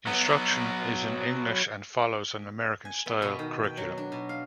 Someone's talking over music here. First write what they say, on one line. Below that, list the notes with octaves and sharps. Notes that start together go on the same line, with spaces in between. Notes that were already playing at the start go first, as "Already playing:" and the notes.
Instruction is in English and follows an American-style curriculum.
F#3 B3
G#5
B3
B2
D#3
G5
F#3
D4
B2
F5